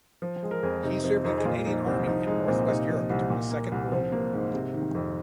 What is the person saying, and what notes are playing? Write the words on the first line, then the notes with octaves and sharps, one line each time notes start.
He served in the Canadian Army in North-West Europe during the Second World War.
F3
G#3
A#4
F2 G#4
C3 D#4
F3 C4
F2 D#4
G#4
A#2 F4
F3 D#4
C2 C4
F3 D#4
G#3 D#4
A#2 C4
C3 D#4
F3
C2
A#2
A#3
C2
F3 C4
A#3
G#2
C3
D#3
F2